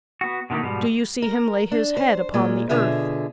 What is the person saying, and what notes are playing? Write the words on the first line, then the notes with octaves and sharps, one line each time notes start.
Do you see him lay his head upon the earth?
B3 F#4
B2 D3 D#3 A3 A#3
G#2 B2 F3 G3
A#4
D4
C5
A#2 G#3 F4
B2 D3 F4 G#4 E5